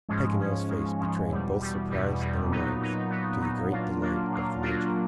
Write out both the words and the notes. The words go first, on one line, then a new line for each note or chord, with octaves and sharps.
Paganel's face betrayed both surprise and annoyance, to the great delight of the Major.
G#2 F3 G#3 C#4
G#2 F3 G#3 C#4
G#2 F3 G#3 C#4
G#2 F3 G#3 C#4
E2 B2 G3
E2 B2 G3
E2 B2 G3
E2 B2 G3
A#2 F#3 B3 D#4
A#2 F#3 B3 D#4
A#2 F#3 B3 D#4
A#2 F#3 B3 D#4
A#2 F#3 A#3 D4 F4
A#2 F#3 A#3 D4 F4
A#2 F#3 A#3 D4 F4
A#2 F#3 A#3 D4 F4